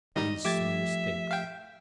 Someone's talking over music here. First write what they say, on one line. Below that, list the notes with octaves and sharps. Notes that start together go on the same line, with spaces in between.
"There is some mistake."
D#3 G3 D#4 D#5
F3 A3 G4 E5 D6 G#6 A6
F5 G5